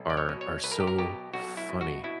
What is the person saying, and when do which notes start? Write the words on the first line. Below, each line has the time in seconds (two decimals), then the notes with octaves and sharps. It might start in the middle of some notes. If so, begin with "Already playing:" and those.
are are so funny
Already playing: B1
0.10 D5
0.17 C#5
0.29 B2
0.41 C#5
0.64 B1 B4
0.72 A#4
0.80 G4
0.87 A#4
0.99 B2 G4
1.34 B1 F#4
1.57 E4
1.69 B2
1.81 F#4
2.04 B2 E4